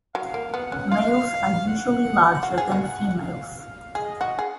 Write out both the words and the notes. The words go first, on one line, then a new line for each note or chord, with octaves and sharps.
Males are usually larger than females.
F#3 F5
A#3
B3 F#5
C#4
F4 F5
F#5
F#4 F5
G#4
F#4
F#5
F5
F5
G#4 D#5
F#4
G#4